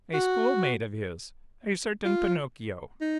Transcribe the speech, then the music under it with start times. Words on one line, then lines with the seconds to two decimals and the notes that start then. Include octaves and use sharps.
"A schoolmate of his, a certain Pinocchio."
0.13 F#4
2.05 F4
3.01 D#4